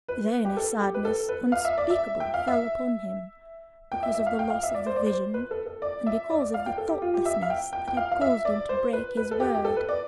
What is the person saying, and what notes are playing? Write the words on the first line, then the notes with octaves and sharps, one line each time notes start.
Then a sadness unspeakable fell upon him, because of the loss of the vision, and because of the thoughtlessness that had caused him to break his word.
B4
G4
A4
G4
B4
A4
B4
F5
E5
D5
E5
G5
F5
E5
G5
E5
E5
F5
G5
F5
E5
D5
C5
D5
C5
B4
A4
A4
D5
E5
D5
D5
F5
G5
A4
G4
F4
G4
E5
F5
G5
G5
G5
F5
F5
E5
D5
C5
B4
B4
A4
G4
G4
A4
B4
D5